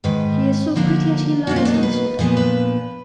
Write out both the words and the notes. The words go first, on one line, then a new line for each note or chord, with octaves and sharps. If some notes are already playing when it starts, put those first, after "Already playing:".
He is so pretty as he lies in his little bed.
G#2 D#3 G#3 B4
D3 F3 A#3 D4 A#4
B2 F#3 A#3 D4 F#4
F4
D4
D#4
B4
A#2 F3 B3 D4 G#4
B4